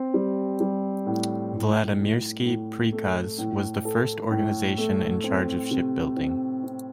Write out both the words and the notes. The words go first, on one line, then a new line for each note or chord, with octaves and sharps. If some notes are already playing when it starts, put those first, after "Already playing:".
Vladimirsky Prikaz was the first organization in charge of shipbuilding.
Already playing: C4
G3
G3
A2
A2
A2
A2
A3
A2
A4
A2
A3
C4
C3
C4
C4